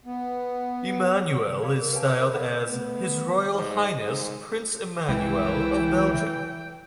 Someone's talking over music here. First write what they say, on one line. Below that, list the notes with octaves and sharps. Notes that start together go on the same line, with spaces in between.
Emmanuel is styled as "His Royal Highness Prince Emmanuel of Belgium".
B3
D5 F5 B5 D6
G#4 A#4
G4 B4 C#5 F5 G#5 A5
G#4 C#5 D5 C6 D#6
A#4 C5 C#5 B5 C6
A#4 D#5 F5 F#5 B5
A3 B3
G#2 D#5
G#2
C2 E3 G#3 E4 G5